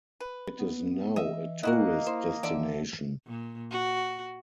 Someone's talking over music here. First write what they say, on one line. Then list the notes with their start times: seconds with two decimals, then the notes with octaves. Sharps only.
It is now a tourist destination.
0.20 B4
0.59 B3
1.16 E3 D#5 E5
1.63 A#3 E4 F#4 A#4 D#5 F#6
2.07 E4 C5
2.43 D3 E3 D5 E5
3.26 A#2
3.71 F#4